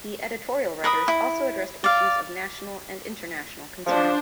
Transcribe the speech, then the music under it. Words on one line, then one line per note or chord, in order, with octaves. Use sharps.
The editorial writers also addressed issues of national and international concern.
A#4 B4 D#6
E4
D5 F5
F3 D4 C5